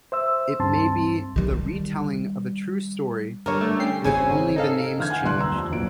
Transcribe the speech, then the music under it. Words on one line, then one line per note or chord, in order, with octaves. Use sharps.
It may be the retelling of a true story with only the names changed.
C5 E5 E6
C#2 G2 C4 A5 C6
D#3 G3
D3 G3 A#4 C#5
A3
C#4 G5 C7
G#1 C#3 C4 C#4 G#4 G#5
D#4 A4 F5
D3 E3 F5 F6 G6 G#6
F#5 G#5
G1 C2 D5 C6 F#6
D#2 A#5 E6
F2
D#1 B1 A#2 D7